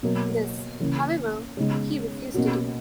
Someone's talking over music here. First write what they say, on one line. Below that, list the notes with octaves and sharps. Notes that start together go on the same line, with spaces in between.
This, however, he refused to do.
B2 F#3 A#3
C#3 E3 A#3 C#4
C#3 G#3 B3 D#4
B2 A#3 C#4 F#4